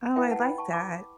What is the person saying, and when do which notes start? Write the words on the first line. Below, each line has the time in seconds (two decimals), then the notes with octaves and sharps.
Oh, I like that.
0.16 E4 B4 E5 G5
0.31 F#5 A5
0.44 G5 B5
0.58 A5 C#6
0.73 B5 D6